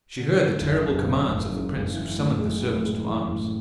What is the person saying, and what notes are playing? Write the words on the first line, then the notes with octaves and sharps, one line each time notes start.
She heard the terrible commands of the prince who summoned the servants to arms.
D3
D3
F#1
F#1
F#1
F#1
F#2
F#1
E3
A2
G#3
A2
G#3
E3
A2